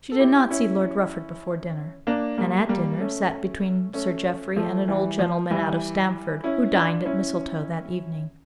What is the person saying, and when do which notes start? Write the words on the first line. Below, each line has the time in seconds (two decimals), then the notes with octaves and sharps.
She did not see Lord Rufford before dinner, and at dinner sat between Sir Jeffrey and an old gentleman out of Stamford who dined at Mistletoe that evening.
0.12 A4
0.19 E4 G4
0.50 C#4 E4
2.07 A#3 D4
2.38 G3 A#3
2.69 G3 A#3
3.00 A3 C#4
3.94 A3 C#4
4.56 F3 A3
4.88 E3 G3
5.19 F3
5.50 E3 G3
6.44 C#4 E4
6.74 D4 F4
7.06 C#4 E4